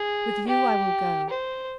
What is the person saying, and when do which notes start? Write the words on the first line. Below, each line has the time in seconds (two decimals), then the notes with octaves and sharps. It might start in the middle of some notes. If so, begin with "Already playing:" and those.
With you I will go.
Already playing: G#4
0.47 G4
1.30 C5